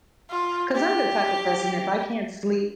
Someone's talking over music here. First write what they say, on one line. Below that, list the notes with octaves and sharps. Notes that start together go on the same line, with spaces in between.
'cause I'm the type of person, if I can't sleep
F4
G4